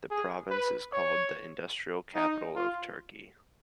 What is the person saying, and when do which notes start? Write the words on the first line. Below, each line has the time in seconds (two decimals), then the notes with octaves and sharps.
The province is called the industrial capital of Turkey.
0.10 G#4
0.50 B4
0.93 C#5
2.15 D#4
2.56 F4